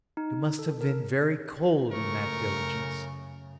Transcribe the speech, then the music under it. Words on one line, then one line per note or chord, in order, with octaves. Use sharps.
You must have been very cold in that diligence!
D#4
A4
A#4
F#2 C#3 A3 A#4 C#6